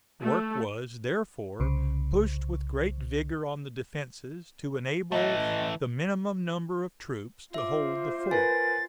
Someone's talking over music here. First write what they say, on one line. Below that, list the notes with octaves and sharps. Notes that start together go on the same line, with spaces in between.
Work was therefore pushed with great vigor on the defences, to enable the minimum number of troops to hold the fort.
A3
C2 C#3
E3 A3 D#5
F4 C5 E5 D6
A#4 B4 G#5 A6